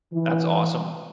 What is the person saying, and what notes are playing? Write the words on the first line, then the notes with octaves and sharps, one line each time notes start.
That's awesome.
E3